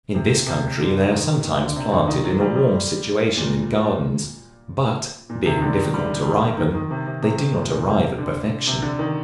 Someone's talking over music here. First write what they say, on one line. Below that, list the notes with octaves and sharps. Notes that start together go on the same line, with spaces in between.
In this country they are sometimes planted in a warm situation in gardens, but, being difficult to ripen, they do not arrive at perfection.
C3
C3
D3
D#3
D#3
D3
C3
D3
D#3
F#3
G3
G3
A#2
A#2
C3
D#3
D3
D#3
G3
D#3
D#3
C3
C3
C3
C3
A#2
A#2
C3
D3
C3
D3
D#3